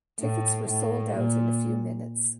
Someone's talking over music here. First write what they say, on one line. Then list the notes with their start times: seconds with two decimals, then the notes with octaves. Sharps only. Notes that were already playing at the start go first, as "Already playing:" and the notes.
Tickets were sold out in a few minutes.
0.20 A2
0.69 A2
1.17 A#2